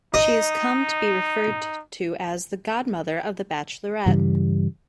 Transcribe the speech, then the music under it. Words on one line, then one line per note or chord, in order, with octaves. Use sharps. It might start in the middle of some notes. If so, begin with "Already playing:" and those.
She has come to be referred to as the "Godmother" of the Bachelorette.
D#4 D#5
G2 C#3 E3 G3